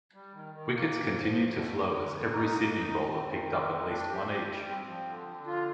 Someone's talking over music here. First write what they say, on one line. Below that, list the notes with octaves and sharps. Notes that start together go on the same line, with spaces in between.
Wickets continued to flow as every Sydney bowler picked up at least one each.
G3
D#3
D#3
A#3
G2
F3
G2
F2
F2
G#3
F2
D#4
A#3
D#4
A#2
C4
D#3
G#3
C4
D4
G4
G4
G3
C4
F3
D3
D3
F4